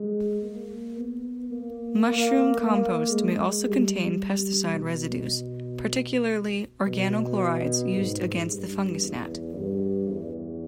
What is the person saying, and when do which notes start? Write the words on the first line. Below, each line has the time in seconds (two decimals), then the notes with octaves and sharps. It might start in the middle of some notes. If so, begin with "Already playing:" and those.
Mushroom compost may also contain pesticide residues, particularly organochlorides used against the fungus gnat.
Already playing: G#3
0.43 A#3
0.97 B3
1.51 A#3
2.04 A#3
2.58 A#3
3.11 G#3
3.65 G3
4.19 G3
4.73 B2
6.87 B2
7.94 G#2
8.48 G2
9.01 E2
9.55 G2
10.09 E2